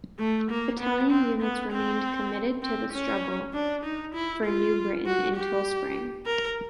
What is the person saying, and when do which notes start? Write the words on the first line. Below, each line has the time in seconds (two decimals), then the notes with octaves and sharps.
Battalion units remained committed to the struggle for New Britain until Spring.
0.19 A3
0.50 A#3
0.79 B3
1.11 C4
1.41 B3
1.72 C4
2.63 C4
2.93 C#4
3.54 D4
3.83 D#4
4.14 E4
4.45 F4
5.06 F#4
5.36 G4
6.26 A#4